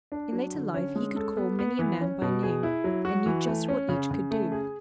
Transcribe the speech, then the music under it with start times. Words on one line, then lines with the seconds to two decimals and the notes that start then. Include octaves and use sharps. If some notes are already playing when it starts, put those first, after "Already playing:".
In later life he could call many a man by name, and knew just what each could do.
0.12 D4
0.32 F#3
0.54 D3
0.74 C#4
0.95 G#3
1.16 A4
1.37 B3
1.59 B3
1.79 E3
2.01 C#4
2.22 B2
2.43 G#4
2.63 E4
2.84 F#3
3.05 F#4
3.26 E3
3.47 A3
3.68 C#4
3.89 C#3
4.11 C#3
4.31 A3
4.52 G#4